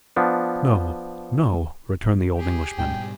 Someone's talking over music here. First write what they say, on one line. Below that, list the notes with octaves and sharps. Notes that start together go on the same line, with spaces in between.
"No--no," returned the old Englishman.
F3 B3 D4
G4 G#4
G#2 B2 G3 G5